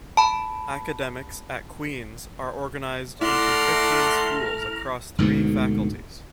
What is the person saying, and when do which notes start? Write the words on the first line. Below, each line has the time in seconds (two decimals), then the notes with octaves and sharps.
Academics at Queen's are organised into fifteen schools across three faculties.
0.17 A5 B5
3.21 A3 E4 D5 F#5 A#5 C6 F6
5.18 D2 G#2 B2 D3